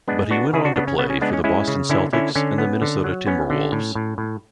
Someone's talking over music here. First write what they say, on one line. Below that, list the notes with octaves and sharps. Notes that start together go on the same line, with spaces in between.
But he went on to play for the Boston Celtics and the Minnesota Timberwolves.
G#3 B3 D4
B3 D4 F#4
C#3 E4 G#4
D4 F#4
C#3 B3 D4
C#4
C#3 B3
C#4
G#3 B3 D4
C#4
G#3 C#4 E4
C#3
D3 C#4 E4
D3 C#4 E4
D3 C#4
B3
D3
F#3
B3 C#4
D3
A2
A2
A2